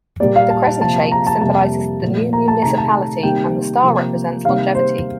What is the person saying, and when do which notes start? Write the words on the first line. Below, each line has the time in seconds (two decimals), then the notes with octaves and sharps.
The crescent shape symbolizes the new municipality, and the star represents longevity.
0.20 A#2 G3 A#3 D5
0.36 F5
0.50 A5
0.65 A5
0.80 C3 F3 A#3 A5
0.96 A5
1.12 A#5
1.27 A5
1.41 F2 C3 G3 A#3 A5
2.02 A#2 F3 A3
2.33 A#5
2.48 A5
2.62 C3 D#3 A3 A#5
2.78 A5
3.23 C3 D#3 G3 A#3 G5
3.84 C3 F3 A#3
4.44 C3 D#3 G3 A#3 F5
4.75 C5